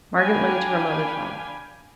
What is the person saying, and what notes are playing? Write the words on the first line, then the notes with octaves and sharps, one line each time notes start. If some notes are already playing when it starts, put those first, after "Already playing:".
Margaret went into her mother's room.
D4 F5 G5 G#5 B5